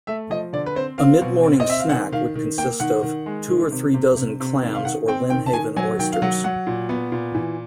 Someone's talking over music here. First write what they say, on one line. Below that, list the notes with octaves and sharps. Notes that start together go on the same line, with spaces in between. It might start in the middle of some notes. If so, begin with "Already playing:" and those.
A mid-morning snack would consist of "two or three dozen clams or Lynnhaven oysters".
A3 E5
F3 D#5
D3 D5
B4
C4 C5
C4 F5
B2
C4
D#5
C4 E5
F5
D#3 F#5
D#3 F5
D#3
A#3 G5
D#3 F#5
D#3
G#3
D#3
C3
C3
C3
C3
D#3
F5
D#3 F#5
C4 G5
D#3 G5
A5
D#3 G#5
F#3 G#5
D#3 G5
F5
F#3 F#5
F#3 F#5
A#2
B3
A#2
E3